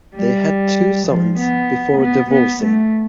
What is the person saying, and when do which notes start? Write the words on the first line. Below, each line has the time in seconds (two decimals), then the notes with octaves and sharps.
They had two sons before divorcing.
0.15 G3
1.07 F3
1.38 B3
2.00 B3
2.30 B3
2.62 A3